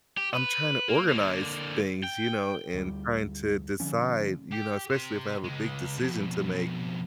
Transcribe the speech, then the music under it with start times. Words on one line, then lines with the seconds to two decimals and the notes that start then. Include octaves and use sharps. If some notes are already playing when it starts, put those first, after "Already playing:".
I'm tryna organize things, you know? And trying to decide, you know, especially if I have a big decision to make,
0.17 G4
0.34 B4
0.89 A#3
1.08 D3 A#3
2.03 G5
2.74 D2 G3
3.80 D3 E3 F3 C#4
4.52 G4
4.90 G4 C5
5.44 C#2 G#3
5.98 F2 B2